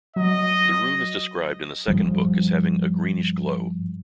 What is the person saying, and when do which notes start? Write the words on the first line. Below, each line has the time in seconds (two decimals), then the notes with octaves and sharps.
The room is described in the second book as having a greenish glow.
0.16 F#3 D#5
1.88 G2 F3 G3